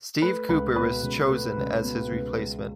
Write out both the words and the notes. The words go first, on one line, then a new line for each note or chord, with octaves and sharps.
Steve Cooper was chosen as his replacement.
A3 B4
C#2 B4
B2 B4
C#2
A3
C#2
B2
C#2
G#3